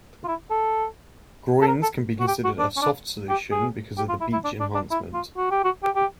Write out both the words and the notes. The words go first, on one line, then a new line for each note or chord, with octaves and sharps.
Groynes can be considered a "soft" solution because of the beach enhancement.
F4
E4
A4
A4
A#4
A4
F#4
G4
F#4
D4
C#4
D4
G4
G#4
G4
F4
E4
E4
D4
D4
D4
E4
F4
F#4
G4
F#4
G4
G4